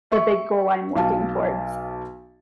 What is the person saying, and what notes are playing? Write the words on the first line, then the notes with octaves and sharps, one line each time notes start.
the big goal I'm working towards.
E5 C#6
B1 F5 A5